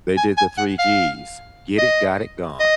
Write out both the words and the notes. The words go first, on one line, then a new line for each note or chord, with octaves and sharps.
They did the three g's. Get it. Got it. Gone.
G#5
G#5
F#5
F5
D#5
D#5